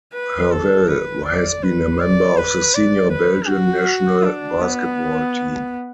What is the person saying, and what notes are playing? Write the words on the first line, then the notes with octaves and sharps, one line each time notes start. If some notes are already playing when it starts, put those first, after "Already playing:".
Hervelle has been a member of the senior Belgian national basketball team.
B4
A4
B4
D5
B4
D5
B4
D5
B4
F#4
D4
B3